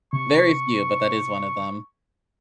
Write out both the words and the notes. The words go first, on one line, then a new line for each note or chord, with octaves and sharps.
Very few, but that is one of them.
C3 C#6